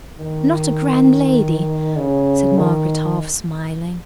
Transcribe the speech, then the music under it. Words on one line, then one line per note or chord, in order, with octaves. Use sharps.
'Not a grand lady,' said Margaret, half smiling.
D#3
C#3
D#3